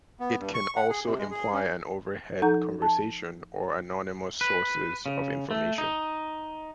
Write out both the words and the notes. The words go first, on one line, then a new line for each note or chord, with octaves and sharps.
It can also imply an overheard conversation or anonymous sources of information.
B3
G2
C#6
F#5
G#4
C3
G#3
G#4
C#4
F3 D#4 A4 F#5 A#5 G6
A5
B4
C#3
A3
D#4